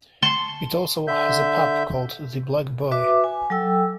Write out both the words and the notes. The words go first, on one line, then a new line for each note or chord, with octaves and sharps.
It also has a pub called "The Black Boy".
A5 C6 C#6
D3 E5 G6
F#4 B4 E5 D6
G#5
F#3 A4 G5 E6